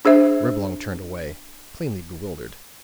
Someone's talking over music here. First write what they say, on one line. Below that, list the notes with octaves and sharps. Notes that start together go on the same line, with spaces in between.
Reblong turned away, plainly bewildered.
D4 G#4 C5 E5